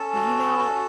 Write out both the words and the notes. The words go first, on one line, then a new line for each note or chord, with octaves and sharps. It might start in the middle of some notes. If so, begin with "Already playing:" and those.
You know
Already playing: C#4 A4 A5
F#4
C#4
F#4